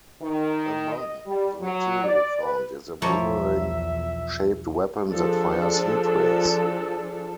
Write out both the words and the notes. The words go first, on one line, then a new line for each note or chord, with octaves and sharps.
Among the material found is a boomerang-shaped weapon that fires Heat-Rays.
D#3
D#5
G3
F#3
D5
B4
B1 E2 F3 A#3 C#5 E5
F3 D4 G#4 A4